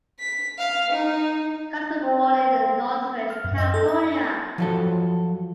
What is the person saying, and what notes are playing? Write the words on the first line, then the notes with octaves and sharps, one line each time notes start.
Collins was born in Northridge, California.
B6
F5
D#4
C4
F6
F#2
D#5
A4
E5
F3 F#3 A4